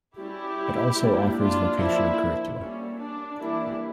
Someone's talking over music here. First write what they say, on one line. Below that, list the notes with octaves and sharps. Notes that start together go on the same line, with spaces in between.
It also offers vocational curricula.
G3 C#4 E4 G4
G3 A#3 D4
D4 F4
F3 A#3 D4 E4
G3 A#3 C#4
D4
E3 G3 A#3 D4 E4